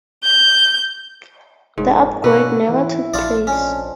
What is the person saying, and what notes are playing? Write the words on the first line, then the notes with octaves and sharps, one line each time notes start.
The upgrade never took place.
G6
F1 F2 G#2 A#3 C#4
B2 D3 F#4 B4
E3 E4
A#1 D4 F4 D5
F2 F3 C#4 D4